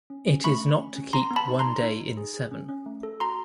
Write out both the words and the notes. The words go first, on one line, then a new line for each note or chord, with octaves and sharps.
It is not to keep one day in seven.
C#4
C#4
A3 B5 C#6
A3
C#4
C#4
B3 A#5 C6
B3
A5 B5
D#4
A#5 C6
D#4
D#4
D#4
G#4
G#4
C#4
C#4
A3
A4
F#4 A#5 C6